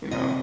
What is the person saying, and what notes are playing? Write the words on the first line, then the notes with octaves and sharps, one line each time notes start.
you know.
C3 D#5